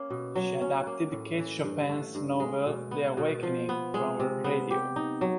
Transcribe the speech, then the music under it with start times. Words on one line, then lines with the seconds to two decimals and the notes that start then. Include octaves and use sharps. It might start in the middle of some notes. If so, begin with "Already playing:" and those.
She adapted Kate Chopin’s novel ‘The Awakening’ for radio.
Already playing: A#3 C#4
0.10 B2
0.36 F#3
0.62 C#4
0.87 A#3
1.12 A2
1.39 E3
1.64 G2
1.89 A3
2.15 G2
2.40 G#3
2.66 B2
2.91 B3
3.17 B2
3.43 F3
3.69 B3
3.94 G#3
4.20 C3
4.44 B3
4.70 G4
4.96 D#4
5.21 F#3